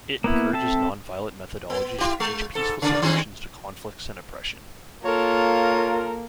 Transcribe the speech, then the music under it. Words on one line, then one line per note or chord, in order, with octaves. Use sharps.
It encourages nonviolent methodologies to reach peaceful solutions to conflicts and oppression.
A#3 B3 E4
C4 A4 E5 A5
B3
E4 G4
G#3
G#2 A4
C#3 D5
D#3 G#3 C4
A#3 F4 A4 A#4 C#5